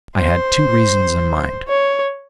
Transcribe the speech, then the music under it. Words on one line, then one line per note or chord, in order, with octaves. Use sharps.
I had two reasons in mind.
C5
C#5